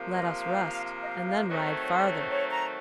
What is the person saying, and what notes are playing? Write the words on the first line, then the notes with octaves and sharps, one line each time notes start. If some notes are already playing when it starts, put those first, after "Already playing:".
Let us rest, and then ride farther.
Already playing: C3 F3 A#3
D#5
F5
F5
D#5
F5
F5
D#3 F#3 A3 C4 D#5
D#5
C#5
C5
C#5
C#5
A#5